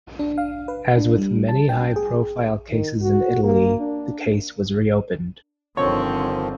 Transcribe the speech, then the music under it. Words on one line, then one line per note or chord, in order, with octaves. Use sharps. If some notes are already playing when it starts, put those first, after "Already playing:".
As with many high-profile cases in Italy, the case was reopened.
D4
F5
B4
D4
G3
A5
G5
G#4
D#3
F#4
A#3
D4
G1 D3 D#3 F3 C4 C#5